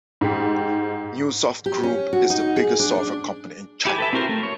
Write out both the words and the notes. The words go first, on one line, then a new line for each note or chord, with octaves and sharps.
Neusoft Group is the biggest software company in China.
G#2 G4
G4
C#4
F#4
D#4
G#4
D4
D4
E4 G4 G#5
A4 B4 E5
C4 E4 F#4 A#4 C5
A3
C#5